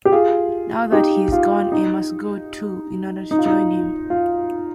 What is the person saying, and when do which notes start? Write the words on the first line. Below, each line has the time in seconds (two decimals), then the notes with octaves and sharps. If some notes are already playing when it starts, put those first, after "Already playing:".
Now that he is gone, I must go too in order to join him.
0.05 G4
0.12 F4 G#4
0.92 D#4 G4
1.32 F4
1.72 D#4
3.31 D#4
3.39 F4
3.46 D#4
4.10 F4